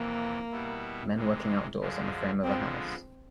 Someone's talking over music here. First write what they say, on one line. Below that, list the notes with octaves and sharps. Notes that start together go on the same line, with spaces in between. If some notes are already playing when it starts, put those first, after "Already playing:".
Men working outdoors on the frame of a house.
Already playing: F2 C3 E3 A#3
B2 G3 B3 E4
C3 E3 G#3
F#2 D3 F3 G#3
D3 F3 G#3 B3 C4